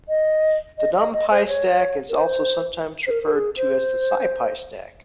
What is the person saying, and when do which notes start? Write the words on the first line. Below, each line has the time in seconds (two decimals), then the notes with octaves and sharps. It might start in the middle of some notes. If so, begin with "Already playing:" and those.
The NumPy stack is also sometimes referred to as the SciPy stack.
0.09 D#5
0.78 D#5
0.97 D#5
1.13 D#5
1.31 C5
1.48 C#5
2.09 A#4
2.17 C5
3.07 C5
3.10 A#4
3.23 A#4
3.34 G#4
3.57 C5